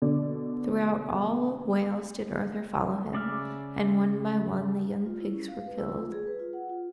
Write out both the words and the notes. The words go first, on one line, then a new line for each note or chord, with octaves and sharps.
Throughout all Wales did Arthur follow him, and one by one the young pigs were killed.
B2 D3 D5
C#3 D5 E5 F6
F4
E4
C#4
F5
B4
E6
F4
G#4
B4
F4
F#5
F4